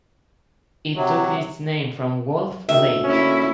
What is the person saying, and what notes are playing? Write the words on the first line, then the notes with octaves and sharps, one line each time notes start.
It took its name from Wolf Lake.
C3 F#3
D2 D#3 E5
A#3 C#4 E4